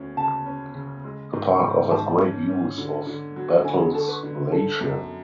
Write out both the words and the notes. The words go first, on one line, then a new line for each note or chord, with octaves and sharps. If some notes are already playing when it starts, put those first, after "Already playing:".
The park offers great views of Bettles Glacier.
Already playing: D2 C#4
C#3 A5
C#4
C#3
G#3
G#2
G#2
G#2 A5
C#4
C#4
D3
D3
F#3
D3 G#5
G#4
D3 A4
B4
D3
D3 A4
F#2